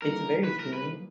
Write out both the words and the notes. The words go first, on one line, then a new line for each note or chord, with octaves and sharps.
it's very healing,
E3 G3 A#3 D#4 A#4
B4
A#4
B4